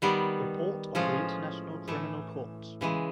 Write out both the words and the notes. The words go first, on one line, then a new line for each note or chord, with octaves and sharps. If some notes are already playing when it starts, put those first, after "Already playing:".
Report of the International Criminal Court.
D#3 G3 B3
A2 F3 G#3 C#4 F4
A2 E3 A3
C#3 E3 G#3